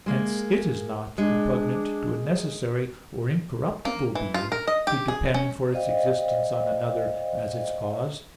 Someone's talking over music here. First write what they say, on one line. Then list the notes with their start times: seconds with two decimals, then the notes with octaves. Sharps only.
Hence it is not repugnant to a necessary or incorruptible being to depend for its existence on another as its cause.
0.06 G#3 A#3
1.18 G#3 D4
3.85 A#3
4.15 E3
4.34 F4
4.52 A#4
4.67 D#5
4.87 G4
5.08 G#4
5.34 C#4
5.72 C5 D5 D#5 F5 G5